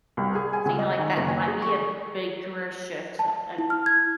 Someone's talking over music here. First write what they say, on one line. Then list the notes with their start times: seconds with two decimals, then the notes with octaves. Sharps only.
so, you know, like, that might be a big career shift, so, like,
0.17 C2
0.35 G#4
0.53 G#5
0.65 C#2
0.79 D#5
0.99 D#3
1.17 F#1
1.28 G#5
1.47 G#4
1.62 C#6
3.19 A5
3.58 E4
3.70 F6
3.86 G#6